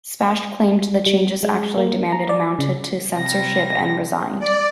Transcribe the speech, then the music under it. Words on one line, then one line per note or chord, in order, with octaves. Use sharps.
Spash claimed the changes actually demanded amounted to censorship and resigned.
G3
G#3
A#3
A#5
D5
C#3
C3 G3 A#6
D5